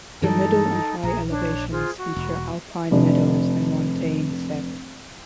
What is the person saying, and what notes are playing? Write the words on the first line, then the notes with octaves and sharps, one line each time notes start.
The middle and high elevations feature alpine meadows and montane steppe.
G2 E3 G3 D#4 A4
A#1 G#4 A#5
D4 C#5
F4 G#4 C5
F#4
E1
F1 D4